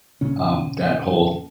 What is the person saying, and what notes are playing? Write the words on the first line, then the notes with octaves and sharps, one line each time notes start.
um, that whole
A#2 C#3 C#4